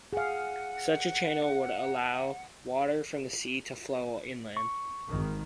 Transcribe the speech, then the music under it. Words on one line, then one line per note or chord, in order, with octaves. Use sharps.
Such a channel would allow water from the sea to flow inland.
G#4 F5 F#5
C#6
G#1 D#3